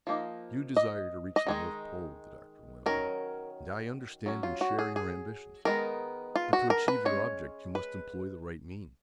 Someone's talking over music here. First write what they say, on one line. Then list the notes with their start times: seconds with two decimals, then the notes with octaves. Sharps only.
"You desire to reach the North Pole," the Doctor went on; "and I understand and share your ambition, but to achieve your object you must employ the right means."
0.07 F3 A#3 D#4
0.77 D#5
1.36 D#5
1.47 D#3 G#3 D#4
2.86 D#3 F#3 C#4 A#4
4.26 F#3 C#4
4.43 F4
4.61 F#4
4.79 G#4
4.96 G#4
5.65 D#3 G#3 B3 D#4 A#4
6.35 F4
6.53 F#4
6.70 A#4
6.88 B4
7.05 G#3 C#4 C#5
7.75 B4